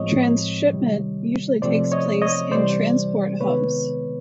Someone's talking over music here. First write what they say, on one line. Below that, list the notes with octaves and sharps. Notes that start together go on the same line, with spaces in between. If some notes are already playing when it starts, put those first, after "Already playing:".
Transshipment usually takes place in transport hubs.
Already playing: A2 F3 G#3 C4 C#5 D#5
C3 D#3 G3
C3 F3 A3 C4 C5 D5
C#5 D#5
C#5 D#5
C3 E3 G3 C5 D5
C3 D#3 G#3 B3 B4 C#5